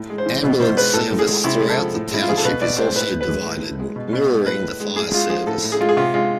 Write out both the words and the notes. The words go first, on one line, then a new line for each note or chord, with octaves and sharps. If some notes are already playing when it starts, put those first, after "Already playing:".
Ambulance service throughout the Township is also divided, mirroring the fire service.
Already playing: A2
G#3
C5
E3
B2
B2 C5
G#3 B4
A2 A4
A2
G#4
G#3
C3 E4
G#3
A4
F3
A2
G#3 E4
F4
F3 G#4
A4
B2 B4
B2 D5
G#3 C5
A2 B4
A2
B4
G#3
A2
A2
G#3
B2
B2
G#3
A2 B4
A2
G#3
A2 G#4
G#3 F4
F3 G#4
A2 A4
A2
G#4
G#3 F4
G#4
C3 F4
G#3 F4